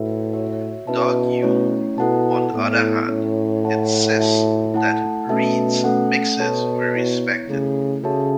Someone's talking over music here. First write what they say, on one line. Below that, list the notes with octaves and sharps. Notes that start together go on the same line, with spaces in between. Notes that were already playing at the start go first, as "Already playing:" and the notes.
Doug Yule, on the other hand, insists that Reed's mixes were respected.
Already playing: A2 F#4 B4 E5
F#4 C#5 E5
B2 C#4 E4 B4 E5 A5
A3 C#4 E4 C#5
B2 E4 A4 F#5 A5
A2 B3 E4 A4
A2 C#4 E4 C#5
E4 C#5 F#5 A5
F#4 A4 E5 A5
A3 E4 A4 F#5 A5
B2 A3 C#4 A4 E5 A5
A3 C#4 A4 F#5
B2 F#4 A4 C#5 A5
B3 E4 C#5
C#3 A3 E4 A4
C#3 F#4 A4 C#5 E5 A5